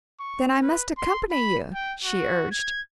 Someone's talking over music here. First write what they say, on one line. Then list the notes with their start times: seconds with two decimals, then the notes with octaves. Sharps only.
"Then I must accompany you," she urged.
0.20 C#6
0.63 B4
0.97 C6
1.32 B5
1.74 G5
2.04 F#4
2.51 G#6